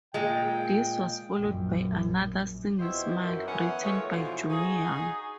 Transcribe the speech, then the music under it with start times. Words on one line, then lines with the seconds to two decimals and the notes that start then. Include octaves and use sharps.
This was followed by another single "Smile", written by Johnny Young.
0.14 A#2 G#3 G5
1.38 A#1 F#2
2.79 F2 B2 E4 C5 E5
3.23 F#2
3.47 D#3 E3 B3 C#4 F#5
3.83 F3 G#3 A3 C#5
4.10 B2 D3 E3 F3
4.50 D#4 F#4 G#4